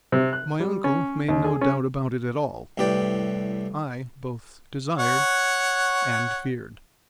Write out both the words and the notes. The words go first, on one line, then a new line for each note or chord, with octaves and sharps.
My uncle made no doubt about it at all; I both desired and feared.
C3
F#6
G3
C#4
D#2
G#4
C#4
C2 A2 G4 B4 D5 G5
C#5 F#5